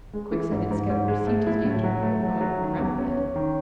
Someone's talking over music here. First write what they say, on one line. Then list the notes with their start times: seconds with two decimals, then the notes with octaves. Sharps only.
The quick-sighted scout perceived his danger without knowing how to remedy it.
0.13 G#3
0.32 E3
0.52 G#2
0.71 G#2
0.90 G#2
1.08 G#3
1.27 A3
1.47 E4
1.65 A2
1.83 F#3
2.03 A3
2.23 F#3
2.41 F#3
2.60 D#3
2.79 E2
2.98 C#4
3.17 C#4
3.36 D#3